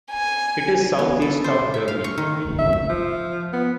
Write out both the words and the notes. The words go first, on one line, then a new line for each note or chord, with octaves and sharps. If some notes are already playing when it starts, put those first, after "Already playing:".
It is south east of Derby.
G#5
B3
A4
C5
E5
F5
C#6
D#3
E5
F3
B3